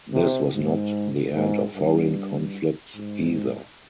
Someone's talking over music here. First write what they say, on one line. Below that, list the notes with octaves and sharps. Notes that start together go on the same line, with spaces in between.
This was not the end of foreign conflicts either.
C3
G#2
G#2
G2
G#2